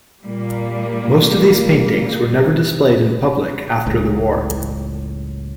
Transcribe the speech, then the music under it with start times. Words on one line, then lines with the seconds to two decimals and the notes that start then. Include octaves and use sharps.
Most of these paintings were never displayed in public after the war.
0.24 A#2 G3 A#3
3.86 F#1 C#2 A2